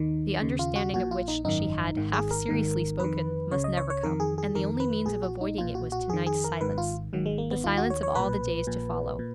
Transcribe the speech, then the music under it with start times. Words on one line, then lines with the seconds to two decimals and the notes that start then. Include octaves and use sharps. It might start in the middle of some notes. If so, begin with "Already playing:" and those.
The understanding of which she had half-seriously spoken must never come, and the only means of avoiding it was to-night's silence, the silence of all the days to follow.
Already playing: D#2 D#3 D#4
0.42 D#2 C#3
0.59 F4
0.76 F#4
0.93 A#1 A#2 F#4
1.11 F4
1.28 D#4
1.45 G#1 F#2 D#3 D#4
1.97 G#1 G#2 D#3
2.13 G#4
2.31 A#4
2.49 G#1 G#2 D#3
3.00 F2 D#3 B4
3.51 C#2 C#3 C#5
3.64 D#5
3.77 C#5
3.90 C#5
4.03 F2 D#3 A#4
4.20 G#4
4.38 G#4
4.55 F2 D#3 A#4
4.80 B4
5.06 A#1 A#2 G#4
5.23 F#4
5.41 D#4
5.58 B1 A#2 F4
5.75 F#4
5.92 F#4
6.09 F2 D#3 G#4
6.26 G#4
6.44 A#4
6.61 G#1 G#2 D#3 B4
6.78 F4
7.13 G#1 G#2 D#3 F#3
7.26 G#3
7.38 A#3
7.51 B3
7.64 D#2 D#3 F4
7.77 F#4
7.90 C#5
8.03 C#5
8.15 B1 A#2 B4
8.67 A#1 A#2
9.19 A#2